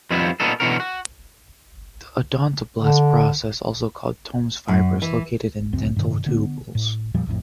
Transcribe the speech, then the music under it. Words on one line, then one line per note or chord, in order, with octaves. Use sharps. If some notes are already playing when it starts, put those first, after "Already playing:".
The odontoblast process, also called Tomes fiber, is located in dentinal tubules.
F2 D#3 F3 G3 B3 E4
A#2 B3 C#4 D#4 A4
B2 D3 E3 C#4 F#4 A#4
F#4
D3
F#2
E3
D1 C#2 F#2 C4
G2 C3 D#3
D3 B3
A2
F2 A#2 F3 G3
A#1 F2 A2